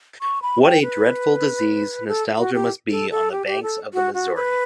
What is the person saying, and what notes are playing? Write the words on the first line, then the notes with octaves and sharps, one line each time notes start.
What a dreadful disease nostalgia must be on the banks of the Missouri.
C#6
B5
G5
B4
A4
F#4
G4
A4
A4
G4
G4
A4
F#4
F#4
B4